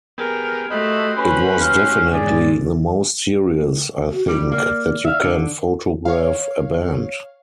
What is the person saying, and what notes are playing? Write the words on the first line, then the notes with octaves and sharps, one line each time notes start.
It was definitely the most serious, I think, that you can photograph a band.
B3 G4 G#4 A#4
A3 F#4 G4 C5 D#5 B5
C#4 B4 B5
F5
G#2 D3 G#4 D5
F#4
G3 E4
A#3 D5
E5 F5
D3
C#5 F5